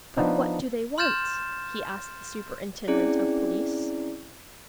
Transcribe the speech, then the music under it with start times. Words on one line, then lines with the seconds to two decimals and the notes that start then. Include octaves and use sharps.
"But what do they want?" he asked the superintendent of police.
0.17 F3 B3 D4 D#4
0.98 C6 F6 G6 A6 E7
2.87 C4 C#4 E4 G#4 D5